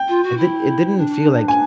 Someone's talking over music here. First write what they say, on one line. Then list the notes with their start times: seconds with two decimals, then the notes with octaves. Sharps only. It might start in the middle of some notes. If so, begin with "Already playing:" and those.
it did it didn't feel, like,
Already playing: G5
0.08 F4
0.23 F#4
0.37 E4
0.97 D4
1.48 G#5